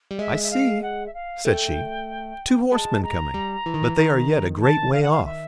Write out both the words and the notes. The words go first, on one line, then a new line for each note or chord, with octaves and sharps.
"I see," said she, "two horsemen coming, but they are yet a great way off."
G3
G#3 E5
E5
F5
F#5
E5
F5
A3 G5
G#3 A5
A#5
G3
E3
D#3
E3
D#3
A5
F5
F#5
F5
E5